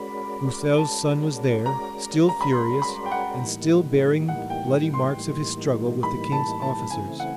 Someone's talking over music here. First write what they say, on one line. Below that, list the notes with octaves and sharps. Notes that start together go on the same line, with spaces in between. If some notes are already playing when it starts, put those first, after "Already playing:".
Broussel's son was there, still furious, and still bearing bloody marks of his struggle with the king's officers.
Already playing: G#3 C#4 F#4 A#4 D5 B5
G#3 C#4 F#4 A#4 D5 A5
G#3 C#4 F#4 A#4 D5 A#5
A#5
B5
G#3 C#4 F#4 A#4 D5 C6
B5
G5
F#5
A2 E3 G3 A#3 D#4
A2 E3 G3 A#3 D#4 F#5
G5
C6
A2 E3 G3 A#3 D#4
A2 E3 G3 A#3 D#4 B5
A5
A5
C#3 E3 A3 C4 E4 G#5
F#5